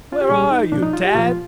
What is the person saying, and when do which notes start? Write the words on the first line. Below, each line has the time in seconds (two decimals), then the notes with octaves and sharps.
"Where are you, Tad?"
0.12 F4
0.21 G4
0.29 A#2 G3 G#4
0.51 D#4
0.72 A#2 F3 D4
0.83 D#4
0.93 F4
1.04 G4
1.15 A#2 F3 F4